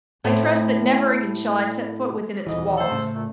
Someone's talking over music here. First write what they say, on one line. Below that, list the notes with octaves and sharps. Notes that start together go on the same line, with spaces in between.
I trust that never again shall I set foot within its walls.
A2 A3 C4
D#1 C2 F2 G#2 E3 D#5
A3 A4 C5
A2 C#3
A#2 A3